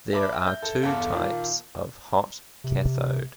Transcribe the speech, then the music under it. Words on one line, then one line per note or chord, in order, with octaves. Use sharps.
There are two types of hot cathode.
E5 A5 B5 D6
G6
A4
G1 E2 A4 F5 A5 D6
A#2 D#3
C3